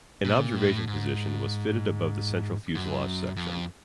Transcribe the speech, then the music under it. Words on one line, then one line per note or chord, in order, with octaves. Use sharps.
An observation position was fitted above the central fuselage section.
A#2
A2
G#2
F#2
F2